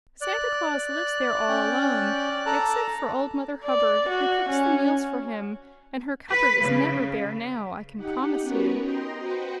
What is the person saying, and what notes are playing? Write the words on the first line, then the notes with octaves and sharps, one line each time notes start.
Santa Claus lives there all alone, except for old Mother Hubbard, who cooks the meals for him; and her cupboard is never bare now, I can promise you!
D5 F#6
C#4 G5
A4 A5 A#5
D5
F#4
C#4
B4
C#3
D#4 G4 F#5
B3 C#4 F#4 A#4 B4
D#5 G5 A#5 C6
F#4 B4 C5 F#5 G5